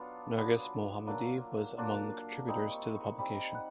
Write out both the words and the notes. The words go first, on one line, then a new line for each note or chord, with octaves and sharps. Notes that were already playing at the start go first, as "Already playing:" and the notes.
Narges Mohammadi was among the contributors to the publication.
Already playing: F#3 B3 D4 F4 C#6
F#3 B3 D4 F4
F#3 A#3 D4 F4
F#3 A#3 D4 F4
G3 C4 D#4
C#6
C#6
G3 C4 D#4 B5
F#5